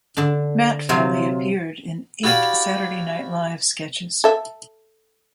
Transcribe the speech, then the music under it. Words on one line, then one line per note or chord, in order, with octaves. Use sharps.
Matt Foley appeared in eight "Saturday Night Live" sketches.
D3 D4
C3 F#3 F4
E4 F#4 G4 D5 F5 B5
A4 E5